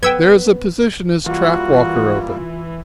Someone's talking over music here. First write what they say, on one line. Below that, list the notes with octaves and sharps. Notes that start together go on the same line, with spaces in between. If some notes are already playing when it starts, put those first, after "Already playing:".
There is a position as track-walker open.
B3 G5 E6 G#6
E3 G3 A#3 F4 F#4